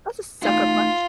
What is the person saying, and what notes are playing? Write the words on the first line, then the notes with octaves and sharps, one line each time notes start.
That's a sucker punch.
A3 D#4 F4 F#4